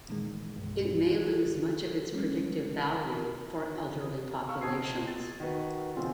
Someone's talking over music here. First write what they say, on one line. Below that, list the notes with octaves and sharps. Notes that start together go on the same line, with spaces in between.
It may lose much of its predictive value for elderly populations.
A#2 D#3 E3 G#3
B1 G2
A4
F3 G3 G#3 C#4
D#6
F5 C#6 E6 F6
B2 C4 A5 D#6 G#6 C7
A6
D#3 F#4 B4
G1 E2 B2 C4 F4